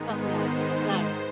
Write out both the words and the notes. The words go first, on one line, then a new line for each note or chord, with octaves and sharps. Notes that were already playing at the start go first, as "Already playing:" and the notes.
Oh, nice, nice.
Already playing: G#2 D#3 G#3 B3 D#4
C5